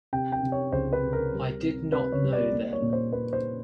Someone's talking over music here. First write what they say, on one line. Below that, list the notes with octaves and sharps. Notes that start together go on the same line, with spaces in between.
I did not know then.
C3 G5
G5
C3
C#5
C#2 C5
B4
C3
A#4
G3
C3
C3 B4
C#5
G3
D5
A#3
C#5
A#2
C5
A#3 B4
C5